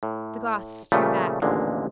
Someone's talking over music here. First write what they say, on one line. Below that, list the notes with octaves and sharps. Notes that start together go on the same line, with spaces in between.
The Goths drew back.
A2
A#2 C#3 F3 G3 A3
A1 D#2 A#2 D3 G#3